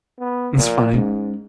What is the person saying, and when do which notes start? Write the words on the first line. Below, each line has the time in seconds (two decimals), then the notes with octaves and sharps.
It's funny.
0.19 B3
0.58 A#2 F3
0.93 G#2 G#3 C#4